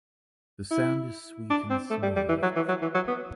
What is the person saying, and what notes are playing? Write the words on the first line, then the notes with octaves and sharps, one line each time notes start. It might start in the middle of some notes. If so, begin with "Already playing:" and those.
The sound is sweet and smooth.
E4
D4
C4
A3
G3
G3
E3
F#3
E3
F#3
E3
F#3
B3